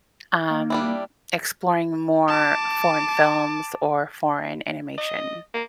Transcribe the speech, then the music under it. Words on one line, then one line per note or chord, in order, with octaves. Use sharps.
um, exploring more foreign films or foreign animation.
A#3
G3 D4 E4
A5 D6
D#5
A#3